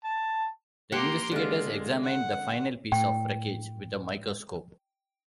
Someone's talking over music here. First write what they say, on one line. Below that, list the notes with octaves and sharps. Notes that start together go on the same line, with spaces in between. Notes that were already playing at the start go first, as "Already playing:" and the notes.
The investigators examined the final piece of wreckage with a microscope.
A5
A#3 G4 F#5 A#5 C6
D3 G#3 F4
F#5
A2 G5